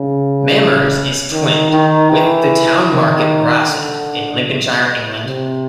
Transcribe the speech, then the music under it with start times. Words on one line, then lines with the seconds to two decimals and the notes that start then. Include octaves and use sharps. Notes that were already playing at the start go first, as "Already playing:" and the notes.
Mamers is twinned with the town Market Rasen in Lincolnshire, England.
Already playing: C#3
1.31 D#3
1.71 D#3
2.11 E3
2.89 D#3
3.67 D3
5.25 C3